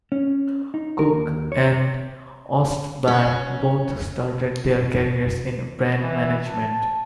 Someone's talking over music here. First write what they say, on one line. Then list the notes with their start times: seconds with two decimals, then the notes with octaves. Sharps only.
Cook and Ostby both started their careers in brand management.
0.12 C#4
0.74 D#4
0.99 A#4
1.13 D#2
1.52 C#5
3.08 C#4
6.01 E3
6.47 A5